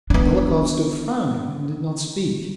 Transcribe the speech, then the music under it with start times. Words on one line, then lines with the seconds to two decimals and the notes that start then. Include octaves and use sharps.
Dolokhov stood frowning and did not speak.
0.10 B3 D4